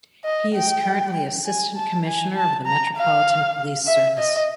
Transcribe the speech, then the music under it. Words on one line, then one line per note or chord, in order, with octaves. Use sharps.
He is currently Assistant Commissioner of the Metropolitan Police Service.
D#5
G5
G#5
A5
G#5
A5
A#5
F5
E5
D#5